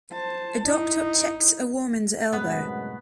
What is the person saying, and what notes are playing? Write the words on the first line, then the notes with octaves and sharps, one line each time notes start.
A doctor checks a woman 's elbow.
C5 A5
D#4 E4
C2 F#2 A2 C3 G#3 B3 B4 F#5